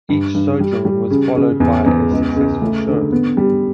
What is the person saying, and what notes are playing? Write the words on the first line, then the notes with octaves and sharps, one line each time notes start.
Each sojourn was followed by a successful show.
G2
G2
G3
G3
C#3
C#3
E2
E2
C#2
C#3
A3
D3
B3
G3